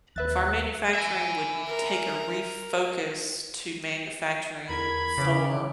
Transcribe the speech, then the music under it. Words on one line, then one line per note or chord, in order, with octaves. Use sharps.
if our manufacturing would take a re-focus to manufacturing for
D#2 B4 E5 F#6 A6
E5 G#5
A#4
E2 A#4 B5 G#6
C#3 E3 C#4 D6